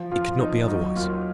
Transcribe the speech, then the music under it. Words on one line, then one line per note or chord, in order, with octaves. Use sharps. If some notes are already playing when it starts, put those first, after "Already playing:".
It could not be otherwise.
Already playing: F3
F3 F4
F3 D#4
F#3 D#4
D#2 F4